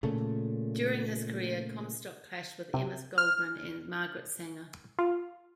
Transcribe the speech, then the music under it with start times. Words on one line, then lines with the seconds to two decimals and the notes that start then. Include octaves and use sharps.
During his career, Comstock clashed with Emma Goldman and Margaret Sanger.
0.03 A#2 C#3 A3
2.74 C3
3.18 F6
4.99 F4